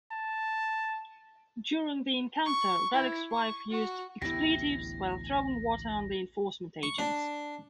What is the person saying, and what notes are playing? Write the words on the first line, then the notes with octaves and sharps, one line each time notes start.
During the encounter, Ruddock's wife used expletives while throwing water on the enforcement agents.
A5
C#6
E4
C#6
F#4
A1 D2 B3 E4 G4 A#6
C#6
D4